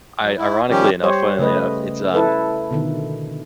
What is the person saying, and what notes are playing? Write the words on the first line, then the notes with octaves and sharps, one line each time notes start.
i ironically enough, funnily enough, it's, um,
F#3
E4
D#3 F3 G3 C#4 G4
G3 G4 C5 C#5
C#3 A3 B4 D#5
E4 A4 B4
B2 D3 D#3